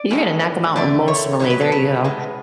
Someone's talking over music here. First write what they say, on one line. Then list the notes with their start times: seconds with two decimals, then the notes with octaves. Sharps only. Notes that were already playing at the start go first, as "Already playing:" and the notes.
You're gonna knock them out emotionally. There you go.
Already playing: D5
0.11 A2 G#3 B3
0.76 E2 D3 A3 D5
1.08 C#5
1.40 G#2 F#3 B3 C#5
1.50 B4
1.61 A4
1.72 B4
2.04 A2 G#3 B3